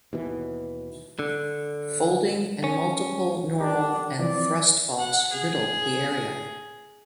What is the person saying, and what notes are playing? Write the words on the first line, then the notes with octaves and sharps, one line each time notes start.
Folding and multiple normal and thrust faults riddle the area.
D#2 B2 E3
D3
C#4
D4 G4
E3 F3 C4 D5
F#5
G#4